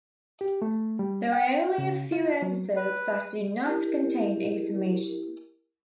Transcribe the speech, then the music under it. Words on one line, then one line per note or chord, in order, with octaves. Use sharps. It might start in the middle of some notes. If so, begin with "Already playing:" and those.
There are only a few episodes that do not contain a summation.
G4
A3
G3
G5
C#3
F4
F#3
B4
E4 G4 A#4